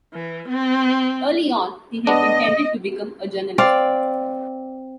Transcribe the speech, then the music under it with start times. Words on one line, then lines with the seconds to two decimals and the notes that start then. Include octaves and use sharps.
Early on, he had intended to become a journalist.
0.13 E3
0.48 C4
2.07 B3 D4 D#5
3.58 C4 D5 F5